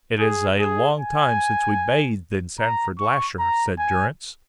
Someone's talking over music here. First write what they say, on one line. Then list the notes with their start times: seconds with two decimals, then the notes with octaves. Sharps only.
"It is a long time since we bathed in Sandford Lasher," said Durrance.
0.19 G#4
0.59 G#4
0.99 G#5
2.59 A#5
2.99 C#6
3.39 A#5
3.79 G#5